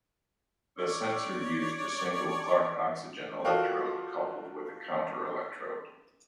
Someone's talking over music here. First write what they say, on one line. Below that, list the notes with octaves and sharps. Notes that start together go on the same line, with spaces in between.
This sensor used a single Clark oxygen electrode coupled with a counter-electrode.
C#5 D5 D6
F4 F#4 A4 A#4 F5 G5